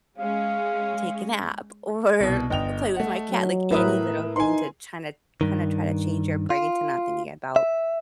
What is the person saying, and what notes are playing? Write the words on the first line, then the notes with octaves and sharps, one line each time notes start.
take a nap or play with my cat", like any little thing to try to kinda try to change your brain to not thinking about
G#3 C#4 F5
C2 B2
G1 D#5 G5 F7
A3 F#5
F#3
A2 E4 A#4 B4 E5 D#6
D#4 G#5 C6
G2 D#3
F4
E5